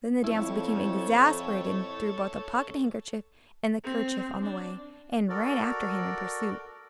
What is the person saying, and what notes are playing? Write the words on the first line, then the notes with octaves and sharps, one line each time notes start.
Then the damsel became exasperated, and threw both the pocket-handkerchief and the kerchief on the way, and ran after him in pursuit.
F2 E4 A4 C#5
C4
D4
F#4 A4 A#4 D5